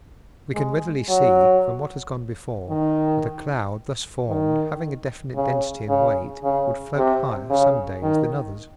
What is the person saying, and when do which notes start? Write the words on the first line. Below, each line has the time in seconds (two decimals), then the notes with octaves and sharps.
We can readily see from what has gone before that a cloud thus formed, having a definite density and weight, would float higher some days than others.
0.55 G#3
1.09 F#3
2.69 D#3
4.29 D#3
5.35 C#3
5.89 C#3
6.43 C#3
6.97 C3
7.50 C#3
8.03 D#3